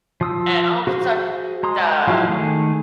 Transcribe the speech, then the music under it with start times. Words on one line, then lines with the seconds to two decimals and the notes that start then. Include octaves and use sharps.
And all of a sudden, the
0.21 F3 D#6 E6
0.87 F#4 G#4 C5
1.63 G#3 A#5 C6 D#6
2.07 F3 F#3 G#3 E4
2.28 D#3 A3 G#4